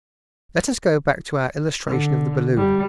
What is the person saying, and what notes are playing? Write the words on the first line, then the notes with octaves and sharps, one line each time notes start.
Let us go back to our illustration of the balloon.
D3
G3